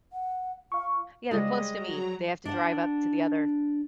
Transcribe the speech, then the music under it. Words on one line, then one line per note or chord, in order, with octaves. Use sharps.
Yeah, they're close to me. They have to drive up to the other
F#5
F4 F5 C#6
G3 G#3 F4 G#4 C5 D#5
F#3 A#5
D4 F#5